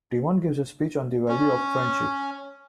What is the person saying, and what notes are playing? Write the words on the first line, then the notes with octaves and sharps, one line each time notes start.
Timon gives a speech on the value of friendship.
C#4